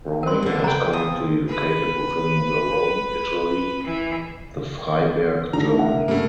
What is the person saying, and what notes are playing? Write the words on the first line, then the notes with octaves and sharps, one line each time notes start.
Romania is currently located within the Rome Italy the Freiberg Germany.
C4 A#4 B4 C6
F2 D3
B4 G5 A#5
F2 D#6
B4
E3
A2 D3 D#3 A3 D4 A#5
A#4 E5 F#5
G2 C#3 A3 A#3